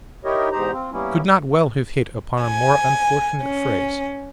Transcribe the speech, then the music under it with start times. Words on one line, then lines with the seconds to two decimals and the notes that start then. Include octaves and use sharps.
He could not well have hit upon a more unfortunate phrase.
0.24 D#4 E4 G4 A#4 C#5 D#5
0.52 E2 G#2 D#4 G4 C5 A#5
0.72 C4 F4
0.92 G3 A#3 B3 C#4 E4
2.43 G#5
3.42 C#4